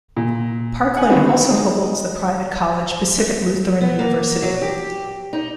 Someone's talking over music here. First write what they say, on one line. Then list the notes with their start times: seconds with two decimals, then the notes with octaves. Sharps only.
Parkland also holds the private college Pacific Lutheran University.
0.17 A#2
0.97 F#5 G#5
1.10 D3 D#3 G3 B3 C4 F#4
1.51 G#3
3.81 B3
3.99 A#3
4.42 F#3
4.62 G4
5.33 D#4